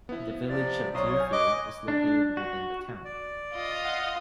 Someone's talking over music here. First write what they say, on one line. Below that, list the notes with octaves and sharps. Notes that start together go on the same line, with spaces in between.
The Village of Deerfield is located within the town.
F3 B3 E4
C3 F3 D5
B1 C#5 A#5 C6 C#6 D#6
G#5 F6 G6
B4 D#5 D6
D4
F#4
D5
F4 D#5
F5 F#5